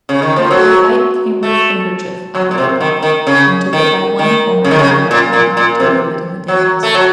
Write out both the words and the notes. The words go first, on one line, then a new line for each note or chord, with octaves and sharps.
She pulled a white cambric handkerchief out of her pocket, and took it by one corner in her right hand, to wave it in the dance.
C#3
D#3
F3
F#3
A3
F#3
A#2
C3
D#3
D#3
C#3
D#3
D#3
C#3
D#3
C#3
A#2
A#2
A#2
C3
F#3
A3
F#3